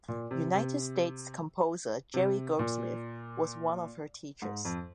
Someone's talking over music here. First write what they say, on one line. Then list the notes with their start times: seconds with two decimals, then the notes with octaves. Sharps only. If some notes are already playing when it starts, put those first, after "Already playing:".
United States composer Jerry Goldsmith was one of her teachers.
0.08 A#2
0.31 C3
0.54 C3
2.14 C3
2.59 A#2
4.42 G#2
4.65 F2